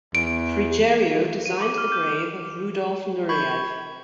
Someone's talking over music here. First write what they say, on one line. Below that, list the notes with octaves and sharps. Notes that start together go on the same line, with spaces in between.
Frigerio designed the grave of Rudolf Nureyev.
E2 D7
D#7
D6
F6
G6
B5 C#6 G6 G#6